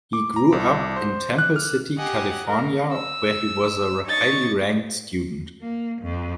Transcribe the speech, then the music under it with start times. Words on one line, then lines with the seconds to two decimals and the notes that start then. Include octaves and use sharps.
He grew up in Temple City, California, where he was a highly ranked student.
0.13 D6
0.36 A#5
0.52 C2
0.96 C5
1.38 F#6
1.56 F6
1.97 G4 D#5 F#5 G#5
2.46 A#4
2.92 E6
4.05 D#4 C#5 D#5 C#6 A6
5.61 A#3
6.02 F2